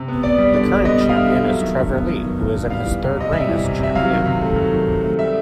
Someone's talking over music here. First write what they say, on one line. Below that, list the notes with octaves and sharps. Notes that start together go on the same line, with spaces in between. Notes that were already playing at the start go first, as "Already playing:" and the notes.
The current champion is Trevor Lee who is in his third reign as champion.
Already playing: C3
B3
B3 D5
G3
D3 D5
D3
B3 D#5
G3
F5
D3 E5
D3
F#3 E5
D#3
G2
B3
F#3
D#3
G2
B3
G3 F5
E3
C3
C3 D#5
G3 E5
E3
C3
C3 E5
F#3 F5
D#3
C3
A3
F#3
D#3
C3
A3
G3 E5